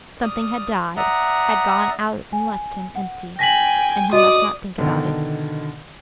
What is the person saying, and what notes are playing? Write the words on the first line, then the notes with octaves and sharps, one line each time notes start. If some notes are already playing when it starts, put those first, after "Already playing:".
Something had died, had gone out and left him empty, and he must not think about it.
D5 D#6 F6
D5 E5 F#5 A#5 D#6
G#5
F#5
G5 G#5 A#6 B6 F#7
F#4 D5 D#5 D#6
B2 D3 D#3 D4